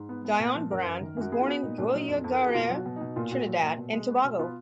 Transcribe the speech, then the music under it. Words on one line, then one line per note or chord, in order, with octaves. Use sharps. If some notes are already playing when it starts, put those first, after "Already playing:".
Dionne Brand was born in Guayaguayare, Trinidad and Tobago.
Already playing: G#2
B3
B3
A#2
F3
F#2 A#4
F#2
D#3
F#2 F#4
B3 G#4
F4
B3 F#4
A#2 D#4
A#2 D4
F#3 D#4
F2
F2
A#4
F2 G#4
F#4
B2 F4
F#3
F#4
B2
D#4
B2
A#2 F4
A#2 F#4
F#3 F#4
A#2
B2
G#3
B3
B2
B3 F4